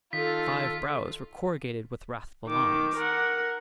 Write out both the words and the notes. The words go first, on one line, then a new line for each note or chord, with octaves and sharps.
Five brows were corrugated with wrathful lines.
D#3 F4 A4 B6
D#3 D6
A#4 F#5